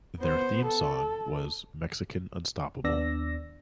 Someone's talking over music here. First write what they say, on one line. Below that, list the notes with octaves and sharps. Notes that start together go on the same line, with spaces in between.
Their theme song was "Mexican Unstoppable".
B3 C5
A4
D#2 B3 D4 D5 E6 A#6